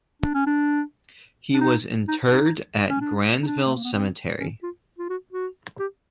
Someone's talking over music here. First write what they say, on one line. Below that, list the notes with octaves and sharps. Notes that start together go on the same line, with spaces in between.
He was interred at Grandville Cemetery.
D4
C#4
D4
D4
D#4
D#4
D#4
C#4
D4
D#4
D4
A3
A#3
B3
C4
C#4
F4
F4
F#4
F#4
G4